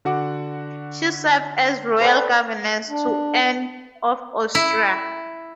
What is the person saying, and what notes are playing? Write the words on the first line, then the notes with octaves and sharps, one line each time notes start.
She served as royal governess to Anne of Austria.
D3 F#4 F#5 D6
A4 B4 C5 D5 G5
D4
E4